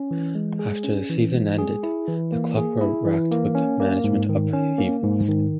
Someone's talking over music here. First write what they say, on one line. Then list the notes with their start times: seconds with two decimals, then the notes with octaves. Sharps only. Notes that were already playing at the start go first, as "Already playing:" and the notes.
After the season ended, the club were wracked with management upheavals.
Already playing: C#4
0.11 E3
0.35 G#3
0.59 G#4
0.84 C#4
1.10 E3
1.34 G#3
1.59 G#4
1.83 E4
2.08 E3
2.32 A#3
2.57 G#4
2.81 E4
3.06 E3
3.31 A#3
3.55 C#4
3.80 A#3
4.04 G#2
4.29 D#3
4.53 C#4
4.78 A#3
5.03 G#2
5.28 D#3